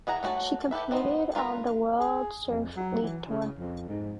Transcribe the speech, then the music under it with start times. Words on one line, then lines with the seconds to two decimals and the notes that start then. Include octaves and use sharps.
She competed on the World Surf League Tour.
0.07 E3 G#4 F#5 A#5
0.23 A3 C4 F#4 C#5 A5
0.71 G4 A4 B4 E5
0.91 B3 C4 D#4
1.35 F4 A#4 B4 E5 A#5
2.00 G#4
2.48 F2
2.76 F#3
3.03 E3
3.28 C#3
3.59 F2
3.89 G#2